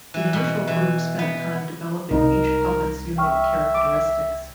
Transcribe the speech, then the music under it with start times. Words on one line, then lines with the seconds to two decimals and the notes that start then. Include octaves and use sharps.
The initial group spent time developing each puppet's unique characteristics.
0.14 E3
0.33 B2
0.68 E3
1.19 B3
2.11 C2 D#4 A#4
3.18 E5 G5 C#6 F6
3.74 D6